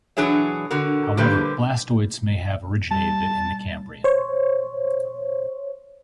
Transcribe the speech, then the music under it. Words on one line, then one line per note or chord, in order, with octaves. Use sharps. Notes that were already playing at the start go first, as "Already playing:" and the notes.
However, blastoids may have originated in the Cambrian.
E3 F#3 D4 G#4 C#5 E5
D3 F#4 A#4
D3 F3 G3 A#3 G4 B4
G3 A5
C5 C#5